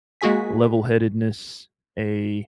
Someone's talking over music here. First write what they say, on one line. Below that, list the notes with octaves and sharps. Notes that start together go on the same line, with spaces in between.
level-headedness, a,
G#3 A#3 F#4 G#4 G#5 B6